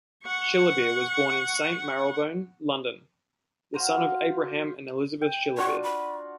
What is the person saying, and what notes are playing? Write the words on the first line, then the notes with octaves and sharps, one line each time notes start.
Shillibeer was born in Saint Marylebone, London the son of Abraham and Elizabeth Shillibeer.
F#5 C#6
F4 F#4 C5 A#5
G5
D4 F4 F#4 C#6
B5